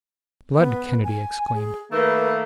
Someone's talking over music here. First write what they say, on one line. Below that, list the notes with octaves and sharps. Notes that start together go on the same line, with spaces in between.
"Blood!" Kennedy exclaimed.
B3
G#5
G#4
D#3 A3 A#3 B4